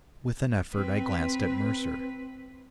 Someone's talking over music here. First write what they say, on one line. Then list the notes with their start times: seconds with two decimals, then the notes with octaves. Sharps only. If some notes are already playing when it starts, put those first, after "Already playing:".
With an effort I glanced at Mercer.
0.72 C4 B4